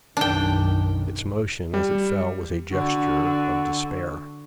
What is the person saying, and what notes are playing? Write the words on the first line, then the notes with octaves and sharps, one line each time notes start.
Its motion as it fell was a gesture of despair.
B1 F#2 D#3 D4 G5
G3
D3 F#4